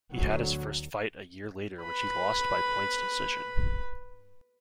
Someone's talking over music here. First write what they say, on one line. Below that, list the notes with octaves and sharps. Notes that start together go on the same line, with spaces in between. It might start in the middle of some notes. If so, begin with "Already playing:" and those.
He had his first fight a year later which he lost by points decision.
D2 F#3
B4 B5